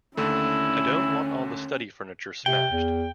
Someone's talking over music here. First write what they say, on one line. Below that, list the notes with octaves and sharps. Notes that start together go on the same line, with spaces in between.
I don't want all the study furniture smashed.
D#2 D3 A3 C#4 E4
C3 G5
E2